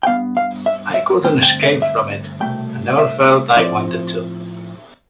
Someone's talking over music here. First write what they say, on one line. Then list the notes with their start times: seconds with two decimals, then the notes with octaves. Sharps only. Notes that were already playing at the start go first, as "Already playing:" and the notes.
I couldn't escape from it, and never felt I wanted to.
0.03 G5
0.07 G2 E3 B3 F5
0.37 F5
0.66 E5
0.94 E5
1.24 G2 D3 A3 C4 G5
1.43 G5
1.63 E5
1.82 E5
2.40 C2 B2 A3 G5
2.99 E5
3.57 A2 F3 C4 D5